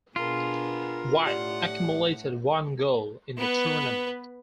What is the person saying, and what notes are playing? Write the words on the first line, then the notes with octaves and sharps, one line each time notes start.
White accumulated one goal in the tournament.
B2 B3 D4 F4 G#4 A#4
A2 G4 D5 F#5
B3 B4